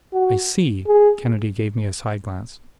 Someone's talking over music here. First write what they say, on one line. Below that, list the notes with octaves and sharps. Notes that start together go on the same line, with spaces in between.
"I see!" Kennedy gave me a side glance.
F#4
G#4